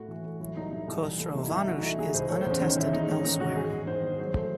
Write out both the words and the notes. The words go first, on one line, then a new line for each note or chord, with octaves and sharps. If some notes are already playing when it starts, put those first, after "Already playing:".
Khosrovanush is unattested elsewhere.
Already playing: A2 A3 F#4
E3
A2
F#3 E4
C2 D#4
C3 E4
C2
E3
A3
C3 D#4
E4
C2
D#4
E3 F#4
D#4
A3 E4
C3 G#4
C#2 C5
A3 C#5
C5
E2
C#4
D#3 D#4
E2 E4
G#3 D#4
G#2 C#4
D#3 D#4
G#2 F#4
G#3 G#4
E2
D#3 C5
E2
F#3 C5
A3 C5